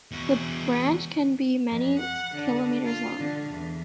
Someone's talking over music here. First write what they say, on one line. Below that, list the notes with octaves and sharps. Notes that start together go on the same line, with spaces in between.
The branch can be many kilometres long.
E2 F#4
F2
F#5
D3
F4
D3
E2